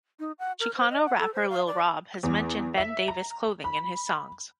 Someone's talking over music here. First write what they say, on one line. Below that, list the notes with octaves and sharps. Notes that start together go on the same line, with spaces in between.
Chicano rapper Lil Rob has mentioned Ben Davis clothing in his songs.
D#4
F#5
A#4
C5
D#5
F#5
A4
C5
F5
D5
E2
E5
A#5
B5